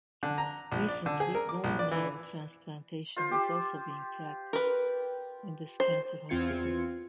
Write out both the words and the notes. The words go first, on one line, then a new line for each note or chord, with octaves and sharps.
Recently Bone Marrow Transplantation is also being practiced in this Cancer Hospital.
D3
A#5
A#1
D5
D3
G#4
A#4
D6
A#1
D5
E3
F4 C5
G4
A#4 B4
C5
E2 C4 F4 G#6 C#7